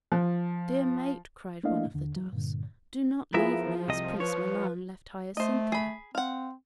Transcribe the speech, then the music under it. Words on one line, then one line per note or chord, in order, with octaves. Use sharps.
"Dear mate," cried one of the doves, "do not leave me as Prince Milan left Hyacinthia."
F3
A3 A#3 D4 E4 D#5 F5
D#2 D3
F#3
G2 A#2 D3
F3 B3 E4 F4 G#4 A#4 E5
C2 C3 D#5
B4 C#5
A3 C5 D#5
G#4 B5
C4 F5 F#5